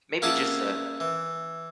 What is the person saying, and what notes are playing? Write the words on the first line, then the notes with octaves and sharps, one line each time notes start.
maybe just a
A#3 C#4 E4 G#4 F#5 A5
E3